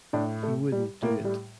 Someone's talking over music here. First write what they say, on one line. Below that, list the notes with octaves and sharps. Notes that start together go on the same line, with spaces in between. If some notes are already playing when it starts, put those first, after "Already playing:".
He wouldn't do it.
A2 D4
A3
G3
A2 A#3
G3